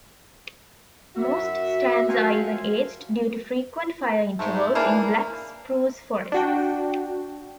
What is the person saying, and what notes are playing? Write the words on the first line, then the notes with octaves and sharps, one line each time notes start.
Most stands are even-aged due to frequent fire intervals in black spruce forests.
F#2 F#4 E5
F3 F#3 F#4 A#4 F5 G#5
G#2 A3
C#3 E3 A#3 D4
D4 F#4 G5